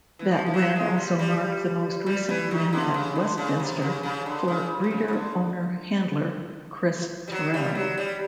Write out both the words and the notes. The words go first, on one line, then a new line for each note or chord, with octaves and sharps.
That win also marked the most recent win at Westminster for breeder-owner-handler, Chris Terrell.
E3
F3
F3
F#3
G#3
G3
G3
G3
E3
D#3
D3
C#3
D3
C#3
C3
C#3
C#3
D3
C#3
C3
C#3
C#3
D3
G3
F#3
G3
F#3
G3